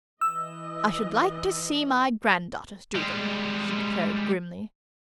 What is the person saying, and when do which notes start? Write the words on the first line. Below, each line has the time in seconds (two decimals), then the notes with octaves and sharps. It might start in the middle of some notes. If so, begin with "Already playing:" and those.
"I should like to see my granddaughters do them!" she declared grimly.
0.21 E3 D#5 E6
2.95 G3 G#3